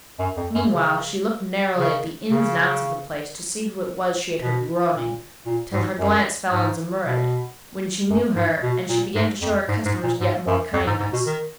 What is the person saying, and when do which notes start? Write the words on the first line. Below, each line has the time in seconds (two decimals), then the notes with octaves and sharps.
Meanwhile, she looked narrowly at the ins and outs of the place to see who it was she had heard groaning, till her glance fell on Zumurrud, when she knew her and she began to show her customers yet more kindness.
0.19 F#2
0.37 F2
0.55 F#2
0.72 C#3
1.77 C#3
2.31 C#3
4.41 B2
4.93 A#2
5.46 A#2
5.73 G#2
5.99 F#2
6.51 G#2
7.05 B2
8.10 F#2
8.36 G#2
8.63 B2
8.89 A#2
9.15 G#2
9.42 F2
9.68 G#2
9.85 G#2
10.03 A#2
10.20 G#2
10.47 F#2
10.73 F2
10.87 G#2
11.00 G#2
11.13 B2
11.26 D#3